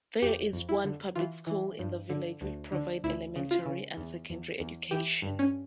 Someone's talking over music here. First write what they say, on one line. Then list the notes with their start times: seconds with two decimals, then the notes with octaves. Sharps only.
There is one public school in the village which provide elementary and secondary education.
0.22 F2 G4
0.53 F2
0.69 E4
0.85 D3
1.15 E3 F4
1.47 E3
1.79 G2
2.09 D3
2.41 D2
2.72 D3
3.04 D2 E4
3.36 C#3
3.51 F4
3.66 C#3
3.97 E2
4.30 E2
4.60 E2
4.91 E3 G4
5.22 G2
5.39 C#4